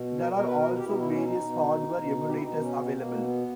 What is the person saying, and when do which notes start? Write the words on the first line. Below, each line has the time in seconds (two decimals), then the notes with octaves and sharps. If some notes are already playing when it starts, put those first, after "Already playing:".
There are also various hardware emulators available.
Already playing: B2
0.19 A#4
0.32 B2 A#4
0.46 B4
0.58 A#4
0.78 G4
0.84 B2 E4
0.92 D#4
0.98 E4
1.12 C#4
1.23 D#4
1.37 B2
1.89 B2
2.27 G4
2.35 E4
2.42 B2 D#4
2.60 C#4
2.78 B3
2.94 B2 A#3
3.21 B3